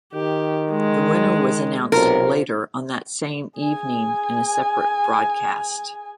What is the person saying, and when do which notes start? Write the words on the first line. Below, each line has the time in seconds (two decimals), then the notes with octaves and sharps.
The winner was announced later on that same evening in a separate broadcast.
0.14 D#3 G4
0.71 G#3
1.92 B1 C3 F4 A#4
3.59 G#4 G#5